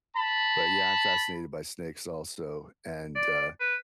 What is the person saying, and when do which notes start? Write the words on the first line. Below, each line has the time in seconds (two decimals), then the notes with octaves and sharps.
but, yeah, I'm fascinated by snakes also, and, uh
0.16 A5 B5
3.15 D5
3.60 B4